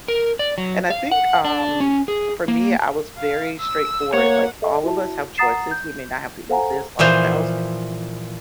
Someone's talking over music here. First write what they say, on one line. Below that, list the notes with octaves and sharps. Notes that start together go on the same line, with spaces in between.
And I think, um, for me, I was very straightforward. Like, all of us have choices. We may not have the easiest lifestyles
A#4
D5
F#3
F5
F#5
D4
C#4
G#4
A#3
F5
E6
A#3 C#5 F#5
A4 D#5 E5
E4 F#4 E5 A5
F#5 A#5 D#6 A6 C7 E7
G6
A4 C5 F5 F#5 G#5 A#5
A#2 E3 F3 C5